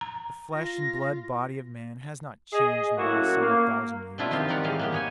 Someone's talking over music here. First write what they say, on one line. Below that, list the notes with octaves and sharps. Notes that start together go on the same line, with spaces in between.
The flesh-and-blood body of man has not changed in the last several thousand years.
A#5
F4 A#6
G#4 D#5
F#2 A2 A#3 E4 F#4
A#3
B2 A3 C4 D4 E4 F4
D#3 C4 D#4 F4 G4
D#3 G4 A#4 D5 F#5 A#5
A2 E3 G#3 F5
A#3 B3 G4
D#4 C#5 G#5